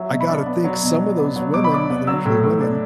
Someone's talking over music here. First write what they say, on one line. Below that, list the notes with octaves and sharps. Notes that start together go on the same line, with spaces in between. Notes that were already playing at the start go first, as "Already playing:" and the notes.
I gotta think some of those women, and they're usually women,
Already playing: F#3 E5
B2
B5
D4
B3
F#3
B2
D4
B3
F#3
B2 D6
B5
D4 D6
B3
F#3 E6
A2
A2
D4